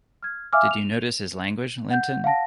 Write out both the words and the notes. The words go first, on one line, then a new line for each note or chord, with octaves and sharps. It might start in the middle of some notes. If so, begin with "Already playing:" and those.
Did you notice his language, Linton?
F6 G#6
E5 F5 G#5 D6 E6 F6
F7
F#5 G6
F5 F#5 A5 A#6